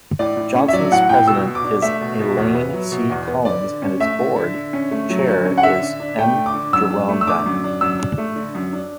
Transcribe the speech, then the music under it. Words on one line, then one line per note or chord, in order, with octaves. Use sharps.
Johnson's president is Elaine C. Collins and its board chair is M. Jerome Diamond.
A2 D5
A2
C#4
E5
F#3 D5
A2 F#5
A2 G5
B2 E6
B2
D6
D4
A3 E5
B2
B2
E2
B3
F#3
B2
E2
B3
D3 D5
D3
C#4
A3 E5
D3
D3
D3
C#4
A3
F#3
D3
C#4
F#5
D3 E5
D3
D4
A3 G5
D3
D6
D3
F#2 E6
D4
A3
E6
D3 D6
F#2
D4
F#2 E6
D4
A3
D3
F#2
D4